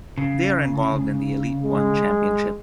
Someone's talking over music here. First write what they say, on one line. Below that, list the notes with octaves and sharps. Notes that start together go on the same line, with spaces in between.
They are involved in the Elite One Championship.
C#3
G#3